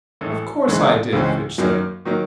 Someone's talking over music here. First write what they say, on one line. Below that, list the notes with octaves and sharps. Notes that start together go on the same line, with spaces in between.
"Of course, I did," Fitch said.
A1 A2 E3 A3
C#2 C#3 E3 G#3 C4
C#2 C#3 E3 G#3 C4
F#2 D#3 F#3 A#3
D#3 F#3 A#3